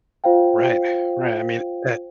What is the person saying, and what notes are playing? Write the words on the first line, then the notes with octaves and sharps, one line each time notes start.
Right, right. I mean, at
F4 C5 F5 G5